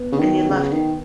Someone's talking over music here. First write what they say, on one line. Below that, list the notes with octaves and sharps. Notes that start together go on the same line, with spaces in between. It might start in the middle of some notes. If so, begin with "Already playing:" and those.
And you loved it?
Already playing: B3
C#3
D#3
C#3
D#3